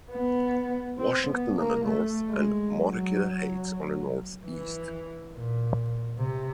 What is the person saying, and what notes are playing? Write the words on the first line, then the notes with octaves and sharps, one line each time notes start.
Washington on the north, and Montecito Heights on the northeast.
B3
C4
B3
A#3
A3
G#3
F#3
E3
A#2
C3